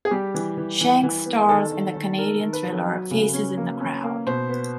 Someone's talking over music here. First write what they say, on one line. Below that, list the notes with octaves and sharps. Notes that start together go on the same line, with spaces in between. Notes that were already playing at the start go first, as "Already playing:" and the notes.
Shanks stars in the Canadian thriller "Faces in the Crowd".
G#4
G3 G4
E3
E3
E3
E3
B3
D#3 A4
D#3
D#3
D#3 A#4
D#3
B4
F#3
F#3
C#3
C#4
A#3
C#4
A#3
B2 C5
B3